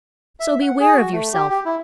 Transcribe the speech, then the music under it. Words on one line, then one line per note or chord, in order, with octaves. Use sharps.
So beware of yourself.
E5
F#5
G#4
F#4
A3
G4
G4
E4